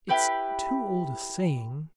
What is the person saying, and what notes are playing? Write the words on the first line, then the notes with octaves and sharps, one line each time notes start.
It's too old a saying.
E4 G4 B4 G6